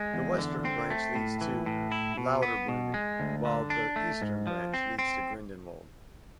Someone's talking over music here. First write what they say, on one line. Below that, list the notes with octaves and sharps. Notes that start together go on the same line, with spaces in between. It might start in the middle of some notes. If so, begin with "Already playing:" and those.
The western branch leads to Lauterbrunnen, while the eastern branch leads to Grindelwald.
Already playing: G#3
E2
D3
C4
A3
A2
E3
A2
E4
B2
B3
B2
G#3
D2
D3
D4
A3
G#2
F3
C4
C4